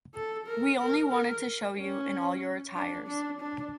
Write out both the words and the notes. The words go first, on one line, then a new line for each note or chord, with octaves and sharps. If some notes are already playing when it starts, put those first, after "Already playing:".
We only wanted to show you in all your attires.
A4
A#4
A#4
A#4
C#4
D4
D4
D4